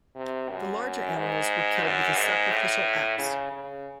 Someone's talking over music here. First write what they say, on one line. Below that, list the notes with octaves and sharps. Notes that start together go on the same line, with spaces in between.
The larger animals were killed with a sacrificial axe.
C3
F#2
G#2
F#2
G#2
A2
C#3
C#3